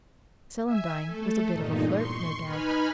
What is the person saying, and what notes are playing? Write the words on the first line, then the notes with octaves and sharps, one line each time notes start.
Celandine was a bit of a flirt, no doubt.
E5 G#5 E6
A3 A4
E2 G2 A#2 D#4
C6 C#6
D#4 B4 G#5 B5 F6